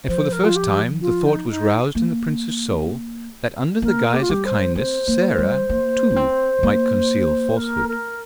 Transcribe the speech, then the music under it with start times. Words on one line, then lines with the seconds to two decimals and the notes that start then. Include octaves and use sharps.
And for the first time the thought was roused in the prince's soul, that under the guise of kindness Sarah, too, might conceal falsehood.
0.08 F3 C5
0.32 A#4
0.44 F4
0.56 G4
1.01 F4
1.25 D#4
1.49 D#4
1.95 A#3
3.82 A#3 A#4
4.14 G4
4.22 F4
4.29 G3 G4
4.45 C5
4.75 C4 C5
5.08 A#3
5.38 G3
5.69 A#3
6.10 A#3
6.16 C4
6.63 A#3
7.57 A#4
7.88 A#4